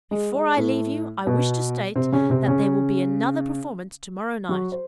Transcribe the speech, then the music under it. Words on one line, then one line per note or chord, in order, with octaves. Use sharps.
Before I leave you, I wish to state that there will be another performance tomorrow night.
G#3
G#3
A2 A3
B2 B3
C3 C4
C#3 C#4
C3 C4
C#3 C#4
F#3 F#4
C5